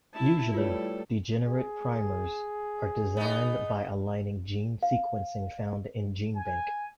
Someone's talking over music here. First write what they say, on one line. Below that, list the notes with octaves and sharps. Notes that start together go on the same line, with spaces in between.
Usually, degenerate primers are designed by aligning gene sequencing found in GenBank.
E4 A5
G3 A3 F4 A4 B4 C#5
G#4
B3 D#4
F5
G#5